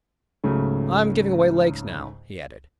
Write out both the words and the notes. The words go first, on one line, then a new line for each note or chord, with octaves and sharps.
"I am giving away lakes now," he added.
C#2 G#2 C#3 F#3 A3